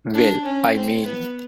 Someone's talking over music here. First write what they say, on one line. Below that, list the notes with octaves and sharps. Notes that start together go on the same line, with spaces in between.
Well, I mean!
D4
C#4
C4
B3